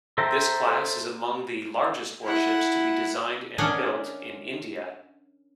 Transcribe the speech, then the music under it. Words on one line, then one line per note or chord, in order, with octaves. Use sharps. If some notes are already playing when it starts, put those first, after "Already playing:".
This class is among the largest warships to be designed and built in India.
A4 C5 E5 G5 A#5
E4 F#5
C#4 D4 A#4 D#5 F#5 G#5